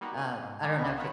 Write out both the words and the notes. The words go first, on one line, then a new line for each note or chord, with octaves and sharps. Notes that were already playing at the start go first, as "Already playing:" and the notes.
Uh, I don't know if you
G3 A#3 B3 D#4 F#4
G#5
G#2
G3 G#3 G#4 D5
C2 B2 D3 G3 B3 C#6
D#4 F4 B4 C#5 F#5 B5